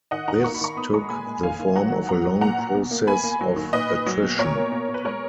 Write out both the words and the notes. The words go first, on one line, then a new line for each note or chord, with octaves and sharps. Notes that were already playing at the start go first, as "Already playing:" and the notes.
This took the form of a long process of attrition.
D#3 D#5 F#5
D#3 F#5 A#5
A#3 C#6
B5
D#3 A#5 C#6
B3 B5 D#6
G#3 A#5 C#6
A#2 G#5 B5
A#2
D#3 F5 G#5
D#3
F#3 F#5 A#5
F#3
B3 F#5 A#5
F#3
A#2 F#5 A#5
A#2
B2
A#3
A#3 G#5 B5
A#3
F#3
D#3
A#2 B4 D#5
A#2
F#3
B2
A#2 A#4 C#5
A#3
B2
B2
B4
G#3 A#4 C#5